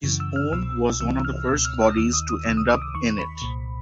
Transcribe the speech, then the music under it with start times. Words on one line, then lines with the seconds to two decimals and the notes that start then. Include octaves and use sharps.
His own was one of the first bodies to end up in it.
0.04 F#2 C#3 E3
0.20 E6
0.36 F6
0.52 C2 B2 E6
1.00 C2 C3 E3 E6
1.25 F6
1.49 C#2 B2 E6
1.65 F6
1.82 E6
1.97 D#2 D#3 E6
2.13 D#6
2.29 D#6
2.45 C#2 C3 D#3 E6
2.57 D#6
2.69 D6
2.82 D#6
2.94 D#2 D#3 C#6
3.19 B5
3.42 C2 A#2